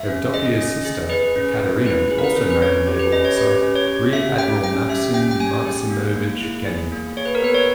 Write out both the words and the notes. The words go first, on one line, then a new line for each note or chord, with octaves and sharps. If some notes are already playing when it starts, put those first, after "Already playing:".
Evdokiya's sister Ekaterina also married a naval officer, Rear Admiral Maksim Maksimovich Genning.
Already playing: E5
C#4
G#4 D#5
C#4
G#4
G#4 B4
C#4
C#4
E4 B4
G#4
A#4
B4
C#4
B4
C#4 C#5
G4
B4
C#4 D#5
C#5
G4 B4
C#4
C#5
G4
C#4 E5
G4 G5
C#4 G5
G4 E5
C#4 G5
G5
G4 G#5
G#4
A#3
A#3
E4
G#4
A#3
G#4 C#5
B4
A#4
B3 B4
C#5